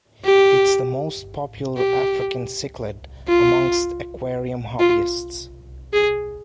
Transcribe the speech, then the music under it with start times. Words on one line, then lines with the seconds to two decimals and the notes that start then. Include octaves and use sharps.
It is the most popular African cichlid amongst aquarium hobbyists.
0.24 G4
1.77 G4
3.28 F4
4.79 F4
5.93 G#4